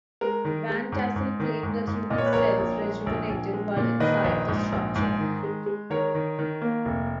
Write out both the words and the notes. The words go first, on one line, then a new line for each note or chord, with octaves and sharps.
Van Tassel claimed that human cells "rejuvenated" while inside the structure.
G#3 A#4
D#3
G#3
G#2
G#2
D#3
G#2
G#2
A#2 D#5
C#5
B4
A#1 A#4 C#5
A#1
G#3
A#1
A#1
G#3
A#2
D#3 B4 D#5
A#1
G#2
A#1
G#2
D#3
G#3
G#3
D#3 A#4 C#5
D#3
D#3
A#3
F1